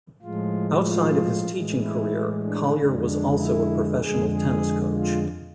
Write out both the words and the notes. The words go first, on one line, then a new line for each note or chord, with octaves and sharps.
Outside of his teaching career, Collier was also a professional tennis coach.
A2 F3 G#3 F4
F4
A2 E3 G#3
E4
D4
F2 D3 G#3
D4
E4
F2 D3 G#3 G#4
G#4
F4